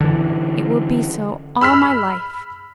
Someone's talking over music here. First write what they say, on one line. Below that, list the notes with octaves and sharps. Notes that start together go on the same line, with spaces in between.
It will be so all my life.
D3 E3
B5 E6 F6 B6